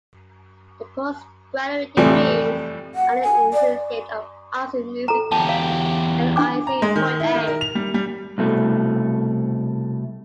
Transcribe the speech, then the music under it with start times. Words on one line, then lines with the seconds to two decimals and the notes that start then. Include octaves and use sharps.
The postgraduate degrees are the Licentiate of Arts in Music Lic.A.
1.97 F2 A2 C3 E3 F3 G3
2.95 F#5
3.23 G#5
3.53 D5
5.08 A4 A#5
5.32 E2 G4 A5
5.49 F5
6.36 D4 G#5 D6
6.67 A#5
6.82 G#3
6.96 D#3
7.20 E4
7.35 D#3
7.47 A#4
7.61 F7
7.75 G3
7.94 G3
8.38 C2 B2 A3